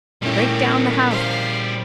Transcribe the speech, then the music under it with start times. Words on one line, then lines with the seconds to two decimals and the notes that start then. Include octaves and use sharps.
Break down the house.
0.22 A#2 G3 A3 C#4 E4 G4 G#4
1.10 C5 F5